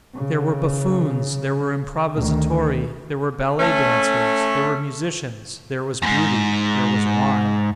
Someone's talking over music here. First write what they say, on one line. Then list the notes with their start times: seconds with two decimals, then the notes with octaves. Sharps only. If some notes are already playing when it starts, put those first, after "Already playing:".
There were buffoons, there were improvisatori, there were ballet-dancers, there were musicians, there was Beauty, there was wine.
0.14 C#3
2.14 D2 D#3
3.60 A3 C#4
6.02 E2 G#2